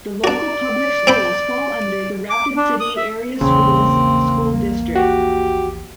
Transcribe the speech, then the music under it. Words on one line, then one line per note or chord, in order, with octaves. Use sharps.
The local public schools fall under the Rapid City Area Schools school district.
D4 F#4 D5
C4 G5 B5
D6
D4
D#6
E5
A#1 E2 C#3 A#3 C4
F#4 G4